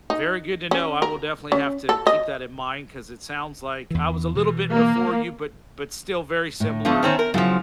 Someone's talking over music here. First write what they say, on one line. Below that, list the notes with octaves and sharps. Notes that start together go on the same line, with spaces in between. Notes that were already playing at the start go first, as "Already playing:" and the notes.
Very good to know, I will definitely have to keep that in mind 'cause it sounds like I was a little bit before you, but but still very similar.
D#4
C#4
A#4
C#4
A4
D#5
E2 E3
B2 E3
A#3
A2
F3 A3 B3 D4
D#3 C4 C#4 E5
A#4
C#3 F3 F#3 E4